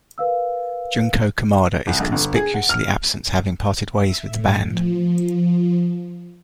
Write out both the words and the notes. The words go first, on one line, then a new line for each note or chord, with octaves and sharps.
Junko Kamada is conspicuously absent, having parted ways with the band.
A#4 B4 F5 E6
C2
A#1
G1
G#4
F#5
F6
E5
A2
F3